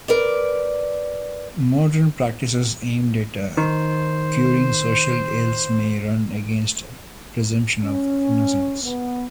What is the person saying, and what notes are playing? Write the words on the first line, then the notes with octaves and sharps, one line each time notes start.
Modern practices aimed at curing social ills may run against presumption of innocence.
A#4 B4 D5
D#3 C5
C#4
B3